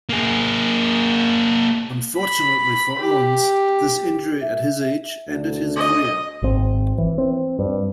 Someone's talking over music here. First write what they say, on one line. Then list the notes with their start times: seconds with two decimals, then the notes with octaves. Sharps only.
Unfortunately for Owens, this injury at his age ended his career.
0.09 A#3 G#4
2.18 B5
2.99 G4
4.42 E5
5.27 D2
5.76 D#5
6.42 G#1 C4
6.98 E3
7.18 C4
7.59 G2